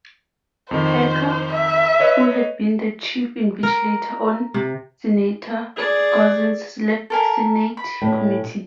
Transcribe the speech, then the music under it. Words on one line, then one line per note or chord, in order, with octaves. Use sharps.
Parker, who had been the chief investigator on Senator Couzens' Select Senate Committee.
F2 D#3 C5
E5
B4 C#5 D#5
A#4
C3
G#4 D5
A4 A#4 G#5
B5
A2 C#4